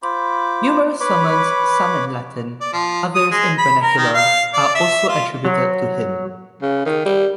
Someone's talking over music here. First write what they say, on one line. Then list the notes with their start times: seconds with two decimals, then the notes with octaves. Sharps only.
Numerous sermons, some in Latin, others in vernacular, are also attributed to him.
0.03 F4 C5 B5 D6
1.00 B4 C#5 B5 D6
2.61 D5
2.73 F3
3.15 D#6
3.31 G#3
3.58 B5
3.82 A#4
3.97 D#3
4.14 F5
4.53 D5
4.75 E5
5.09 F4
5.45 F#3
6.62 C#3
6.86 D#3
7.05 G3